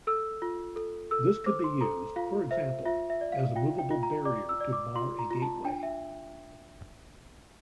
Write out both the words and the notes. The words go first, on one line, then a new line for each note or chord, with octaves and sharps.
This could be used, for example, as a moveable barrier to bar a gateway.
A4 E6
F4
A4
A4 E6
C5 D6
C6
A4 A#5
F4 F5
C5 E5
F4 E5
E5
D5
F5
F4 G5
G5
F4
A#5
D5 D6
E6
D5
D6
F4 C6
A#5
F4
A5
D4 G5
E5